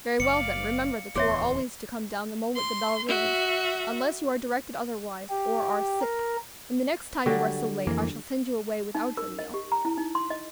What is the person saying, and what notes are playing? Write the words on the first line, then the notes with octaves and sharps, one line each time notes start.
"Very well, then; remember that you are always to come down the moment the bell rings, unless you are directed otherwise, or are sick; and the next time you are so late, I shall send you away without your meal."
F#1 D5 F5 C#7
D1 E2 B3 G#4 C#5 E5 C6
C6
F#4 E5
G4
A#4
D3 F#3 G3
F2 E3 A#3
D#4
A#4
D#5
G4
A#5
E4
D#4
C6
D#5